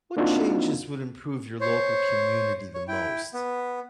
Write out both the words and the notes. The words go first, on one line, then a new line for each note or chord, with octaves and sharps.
What changes would improve your local community the most?
A#3 C4 D4 D#4 F4 F#4
C5 C#5
C#5
E4 G5
B3